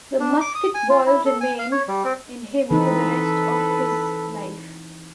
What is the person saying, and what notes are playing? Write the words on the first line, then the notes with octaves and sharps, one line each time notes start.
The musket ball remained in him for the rest of his life.
D4
D6
D#6
G#5
F4
E4
A4
G#5
F5
C#5
G3
C4
E3 C4 D#4 A4 B4